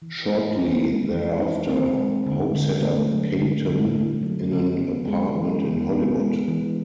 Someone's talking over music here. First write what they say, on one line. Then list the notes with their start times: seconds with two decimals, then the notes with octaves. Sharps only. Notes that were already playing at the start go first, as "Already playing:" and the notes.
Shortly thereafter, Hope set up Payton in an apartment in Hollywood.
0.02 E3
0.30 D#4
0.57 C4
0.85 G#3
1.14 E3
1.42 D#4
1.70 C4
1.98 G#3
2.26 D3
2.55 D3
2.82 A3
3.11 F#3
3.39 D3
3.67 D3
3.95 A3
4.23 F#3
4.51 C#3
4.79 B3
5.08 G#3
5.35 E3
5.64 C#3
5.92 B3
6.20 G#3
6.48 E3